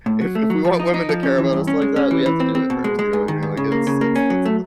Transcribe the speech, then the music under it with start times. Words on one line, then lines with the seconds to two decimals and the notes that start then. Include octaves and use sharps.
If if we want women to care about us like that, we have to do it first," you know what I mean? Like, it's it's that's
0.06 A2
0.21 F#3
0.35 A3
0.50 F#3
0.65 F3
0.80 D#4
0.94 D#4
1.09 F3
1.23 C#4
1.38 E3
1.53 G2
1.67 C#4
1.82 G#3
1.96 C#4
2.11 E3
2.26 E3
2.40 C4
2.55 C4
2.70 B2
2.84 G#3
2.99 G#3
3.13 G#2
3.28 D#3
3.43 G#2
3.57 C#3
3.72 A#3
3.87 C#3
4.01 A#3
4.15 C#4
4.30 F#3
4.45 A3